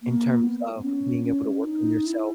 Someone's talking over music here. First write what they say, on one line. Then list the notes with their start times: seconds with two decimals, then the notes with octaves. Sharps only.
in terms of being able to work on yourself,
0.02 A#3
0.43 B3
0.83 C#4
1.24 C#4
1.64 D#4
2.06 E4